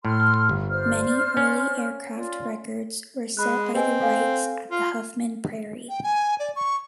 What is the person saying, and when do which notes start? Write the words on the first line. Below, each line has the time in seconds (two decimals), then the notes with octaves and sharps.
Many early aircraft records were set by the Wrights at the Huffman Prairie.
0.05 A2 A4 C6 F6
0.49 G1
0.70 C5 D5 F6
1.37 C#4
2.15 F4 D5
3.37 G#3 B5 F#6
3.74 C4 B4 D#5 G#5
4.01 A4 F5 G#5
4.71 F4
5.90 G5
6.03 G#5
6.39 D5
6.56 C#6